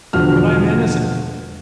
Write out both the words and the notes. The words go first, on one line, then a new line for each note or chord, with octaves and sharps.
"But I am innocent."
E1 D3 F3 F#4 F6